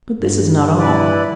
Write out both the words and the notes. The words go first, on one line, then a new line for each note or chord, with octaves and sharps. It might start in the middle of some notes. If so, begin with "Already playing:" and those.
But this is not all.
G2
E4 B4 D5